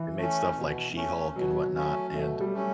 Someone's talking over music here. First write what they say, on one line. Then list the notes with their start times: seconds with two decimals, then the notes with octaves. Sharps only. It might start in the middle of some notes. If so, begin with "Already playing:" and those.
they made stuff like She-Hulk and whatnot, and
Already playing: E3
0.18 A3 C#4
0.57 B2
0.96 A3 C#4
1.36 B2 F#3
1.75 A3 C#4
2.13 B2 A3
2.41 G3
2.54 A3 C#4